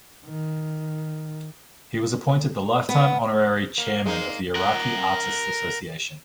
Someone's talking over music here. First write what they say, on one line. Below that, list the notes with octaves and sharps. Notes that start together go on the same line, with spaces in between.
He was appointed the lifetime honorary chairman of the Iraqi Artists Association.
D#3
B3
A#3
G#3 A#3 D#4
A#4 F#5